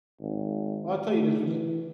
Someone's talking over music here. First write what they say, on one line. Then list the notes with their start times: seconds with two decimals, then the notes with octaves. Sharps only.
Well, I tell you this was
0.20 G#1
1.07 A3
1.44 E3